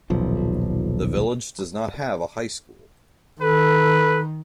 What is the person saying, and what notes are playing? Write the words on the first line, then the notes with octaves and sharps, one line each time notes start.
The village does not have a high school.
D#1 B1 F3
D#3 A4 B4